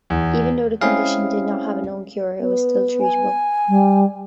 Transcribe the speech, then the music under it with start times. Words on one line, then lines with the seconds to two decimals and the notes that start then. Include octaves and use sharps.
Even though the condition did not have a known cure, it was still treatable.
0.10 E2
0.81 G#3 C4 C#4 E4 G#4 F5
2.40 B3
3.01 G#5
3.68 G3